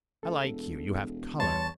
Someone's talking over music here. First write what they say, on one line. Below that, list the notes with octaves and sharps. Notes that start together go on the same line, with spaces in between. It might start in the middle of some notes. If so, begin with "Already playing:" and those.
I like you--you have color.
A1 A4
E1
E2 G3 C#5 A5 C6 A6